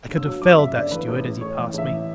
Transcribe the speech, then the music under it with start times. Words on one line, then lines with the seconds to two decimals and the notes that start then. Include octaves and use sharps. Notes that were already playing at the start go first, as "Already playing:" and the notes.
I could have felled that steward as he passed me.
0.08 G1
0.16 E6
0.25 F#3
0.42 F#2 D6
0.58 C#3 E5
0.74 G1 D5
0.91 E3 B4
1.08 A1
1.24 A1
1.41 A2 C#5
1.58 E3
1.74 A1 E5
1.91 E3